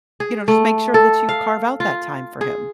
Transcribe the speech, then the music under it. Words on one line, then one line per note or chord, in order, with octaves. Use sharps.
you know, just make sure that you carve out that time for him.
G#4
A3
A4
F5
F4
G#4